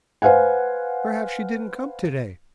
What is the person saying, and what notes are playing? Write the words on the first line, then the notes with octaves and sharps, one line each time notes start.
"Perhaps she didn't come today."
B4 C5 F5 F#5 G#5